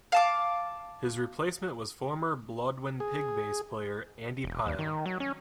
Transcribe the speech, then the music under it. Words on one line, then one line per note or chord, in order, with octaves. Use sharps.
His replacement was former Blodwyn Pig bass player Andy Pyle.
F5 A5 D6
G#4
E1
D#2
D#3
F#3
C#4